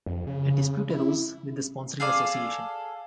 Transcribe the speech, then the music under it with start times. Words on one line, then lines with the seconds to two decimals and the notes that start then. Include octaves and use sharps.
A dispute arose with the sponsoring association.
0.06 F2
0.27 C#3
0.90 E4
2.00 G#4 A4 D5 F5